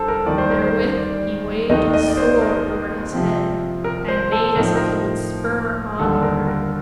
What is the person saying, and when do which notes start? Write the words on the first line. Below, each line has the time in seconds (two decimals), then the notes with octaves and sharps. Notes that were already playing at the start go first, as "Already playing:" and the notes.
Therewith he waved his sword over his head, and made as if he would spur onward.
Already playing: D2 D3 G3 A4 C5
0.08 A#4
0.26 D#2 D#3 G3 D5
0.38 C5
0.50 A#4
0.61 C5
0.97 D5
1.69 D#2 D#3 A3 C4 D#4 D#5
1.93 D#5
2.08 D5
2.17 C5
2.41 A#4
3.13 C3 F3 C4
3.84 A#4
4.08 C5
4.32 A4
4.56 A2 F3 C4 D#4 A#4
4.65 C5
4.76 A#4
5.99 D#2 D3 G3 A4
6.23 A#4
6.47 A#4